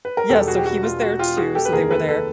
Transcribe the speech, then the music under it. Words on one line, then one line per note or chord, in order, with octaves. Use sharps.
Yes, so he was there too, so they were there.
B4
A#4
E1 E2 B2 G3 B3 G4 A4
F#4 G#4
G4
F#4
F4
F#4
F4 G4
F#4 G#4
G4 A4
B4
F1 D#2 D#3 G#3 G#4 A#4
A4 B4
A4 B4